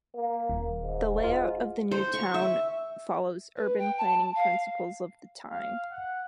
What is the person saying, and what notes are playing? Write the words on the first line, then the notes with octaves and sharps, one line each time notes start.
The layout of the new town follows urban planning principles of the time.
A#3
D#1
G#2
F4
C5
C#6
E5
B4
G5
A5
F5
F5
F#5